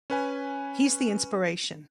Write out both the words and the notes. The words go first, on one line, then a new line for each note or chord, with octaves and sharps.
He's the inspiration.
C#4 B4 G#5